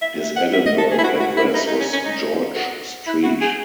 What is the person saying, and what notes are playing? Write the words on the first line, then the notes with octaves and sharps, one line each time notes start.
His Edinburgh address was George Street.
E5
F#5
E5
D#5
A4
G#4
E4
F#4
F#4
E4
D#4
D#4
C#4
C#4
D#4
F#4
E4
F#4
G#4